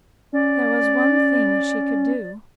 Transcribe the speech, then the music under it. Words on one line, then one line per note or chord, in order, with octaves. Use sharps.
There was one thing she could do.
C#4 D5